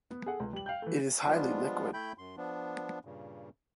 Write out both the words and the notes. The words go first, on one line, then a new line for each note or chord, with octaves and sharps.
It is highly liquid.
B3
G#4 A4 F#5
C#2
G3 F#7
F5 G5 G6
E3 A3
F3 G3 G#3 B3 D4 F4
A3 E4 G5 B5 G6
F#2 C6
F3 B3 D4
G2 A#2 C#3